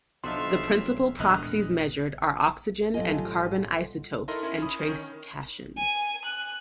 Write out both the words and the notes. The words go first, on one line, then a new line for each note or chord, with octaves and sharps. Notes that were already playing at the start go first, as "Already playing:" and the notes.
The principal proxies measured are oxygen and carbon isotopes and trace cations.
B1 F3 B3 D4 E5 F5 C6
E2 A#2 D3 E3 G#3 B4 D#5 F6
A1 B2 F#3 G3 F4 A4 D#5 G#5
D#4 E4 A4 A#4 D#5 C6
C#4 E4 A#4 C#5
B5 D#6
D#3 C#4
G#5
F#6